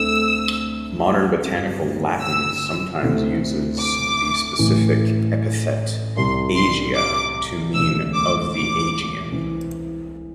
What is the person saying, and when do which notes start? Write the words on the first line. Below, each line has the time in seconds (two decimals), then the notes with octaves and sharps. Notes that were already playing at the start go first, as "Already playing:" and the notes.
Modern botanical Latin sometimes uses the specific epithet "aegea" to mean "of the Aegean".
Already playing: D2 D3 A3 C4 E6
1.43 G1 G2 G3 C4
2.22 E6
3.01 D2 C3 A3 C4 E4
3.80 D6
4.59 A1 A2 E3
6.16 C2 C3 G3 C6
6.55 C6
6.95 D6
7.74 E1 D2 C3 A3 E6
8.14 D6
8.53 D6
9.31 C2 C3 E3 C4 E4